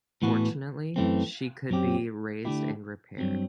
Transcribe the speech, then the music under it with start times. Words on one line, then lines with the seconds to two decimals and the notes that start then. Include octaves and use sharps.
Fortunately, she could be raised and repaired.
0.22 A2 E3 B3 F#4
0.96 F#2 E3 A3 C4
1.70 F#2 F#3 C4 G4
2.45 D3 A3 E4 G4
3.18 G2 F#3 C4